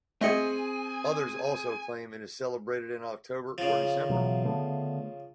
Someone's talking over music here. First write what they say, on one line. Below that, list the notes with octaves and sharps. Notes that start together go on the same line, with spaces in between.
Others also claim it is celebrated in October or December.
A3 C4 G#4 D#5 G#5 C#7
C#3 F3
B2 E3 F#3
D3 A3 B3